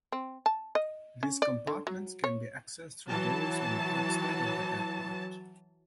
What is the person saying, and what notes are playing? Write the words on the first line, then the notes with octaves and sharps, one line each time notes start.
These compartments can be accessed through doors on the outside of the aircraft.
C4
A5
D#5
C#4
D5
D3
F#3
C#5
E3 F#3 A5